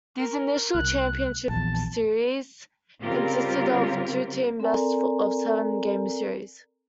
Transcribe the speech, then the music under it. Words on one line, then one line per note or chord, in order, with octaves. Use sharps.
These initial championship series consisted of a two-team best-of-seven games series.
A#4
C2 F#6
A#1 E2 A5
C#3 G3 C4 F4 G4 A#4
C4 A4 A#4 D5 G#5 A#5